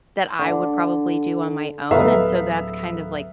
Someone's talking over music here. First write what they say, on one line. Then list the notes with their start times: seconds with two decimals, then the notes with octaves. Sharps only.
that I would probably do on my own, and so that's kind of, like
0.39 D3
1.91 D1 B3 A4 E5 F5 A#5